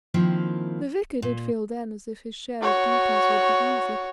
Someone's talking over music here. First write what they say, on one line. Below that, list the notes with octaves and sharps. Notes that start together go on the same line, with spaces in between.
The Vicar did feel then as if his share of duties would be easy.
D#3 F3 A#3 C4 E4
A#2
F#4 C#5